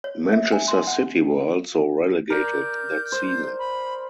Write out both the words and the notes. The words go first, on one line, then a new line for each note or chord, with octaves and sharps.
Manchester City were also relegated that season.
C#5
E5
G#5
C6
F#5
A#4 D5 A#5 G6
C5
B5